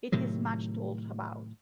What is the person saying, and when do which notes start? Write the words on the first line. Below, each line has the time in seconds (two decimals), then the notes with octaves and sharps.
It is much talked about.
0.12 A2 C3 D#3 F#3